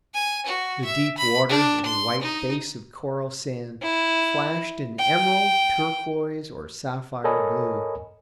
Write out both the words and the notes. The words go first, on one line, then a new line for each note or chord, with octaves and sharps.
The deep water, with a white base of coral sand, flashed in emerald, turquoise, or sapphire blue.
G#5
F#4
E5
B5
D4
C6
D#4
E4
G5
A4 A#4 C#5 D#5 G#5 B5